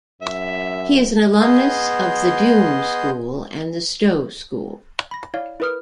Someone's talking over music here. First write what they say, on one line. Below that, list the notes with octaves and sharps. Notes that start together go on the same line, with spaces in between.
He is an alumnus of The Doon School and the Stowe School.
F#2 E5
B3 G#4 D#5 C6 G6
B5 A#6
E4 C#5 D5 F5
E4 A#4 B4 D#6 F6